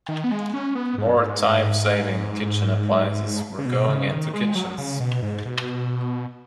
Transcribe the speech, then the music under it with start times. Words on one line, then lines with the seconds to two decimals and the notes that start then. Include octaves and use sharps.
More time saving kitchen appliances were going into kitchens.
0.09 D#3
0.24 B3
0.31 G#3
0.54 C#4
0.75 B3
0.98 G#2
1.07 F#2
1.17 G#2
3.58 C#3
3.66 B2
3.88 C#3
4.11 D#3
4.34 G#3
4.55 F#3
4.78 C#3
5.00 B2
5.22 G#2
5.45 B2